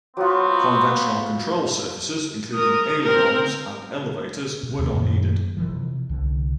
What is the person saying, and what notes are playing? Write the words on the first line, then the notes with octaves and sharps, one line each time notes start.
Conventional control surfaces including ailerons and elevators were not needed.
F#3 B3 C4 F4 F#4
A#4 D#6
C4 A#4
C3
D#2 C#3
F#2 A#2 D#3
C3 E3 F3
C2 D3